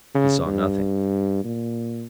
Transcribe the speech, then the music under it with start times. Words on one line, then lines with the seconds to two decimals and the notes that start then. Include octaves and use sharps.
He saw nothing.
0.14 C#3
0.46 G2
1.44 A#2